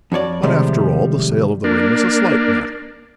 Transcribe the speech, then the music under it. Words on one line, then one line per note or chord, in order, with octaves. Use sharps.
But, after all, the sale of the ring was a slight matter.
F2 F#4 C#5 D5
A2 C3 D#3 F3 G3 G#3
A#3 D4